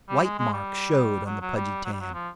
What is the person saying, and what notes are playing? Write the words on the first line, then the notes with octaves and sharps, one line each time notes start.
White marks showed on the pudgy tan.
G3
G#3
G#3
G3
F#3
F#3
G3
F#3
G3
F#3
F3